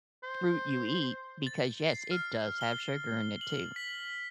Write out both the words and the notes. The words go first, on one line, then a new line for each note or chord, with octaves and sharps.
Fruit you eat because, yes, it does have sugar in it, too.
C5
A6
C7
F6
G7
F#7
B6